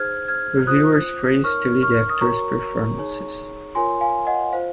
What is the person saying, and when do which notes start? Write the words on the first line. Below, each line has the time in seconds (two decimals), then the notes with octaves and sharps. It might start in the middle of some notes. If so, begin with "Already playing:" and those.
Reviewers praised the lead actors' performances.
Already playing: D#4 G#4 C5 F6 G#6
0.28 F6 G#6
0.67 F4 C5 D#6 F#6
1.44 D#4 A#4 C#5 C#6 F6
1.83 C#6 F6
2.10 D#6
2.21 F#4 A#4 C#5 A#5 C#6
2.98 D#4 G#4 C#5
3.75 F4 A#4 C#5 G#5 C6
4.01 F5 G#5
4.27 D#5 F#5
4.53 F4 C5 F5